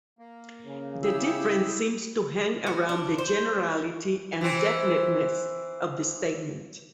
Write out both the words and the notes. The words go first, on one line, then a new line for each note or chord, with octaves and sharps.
The difference seems to hang around the generality and definiteness of the statement.
A#3
C#3
E4 G4 G#4 E6
F#4
D4
C5
E3 C4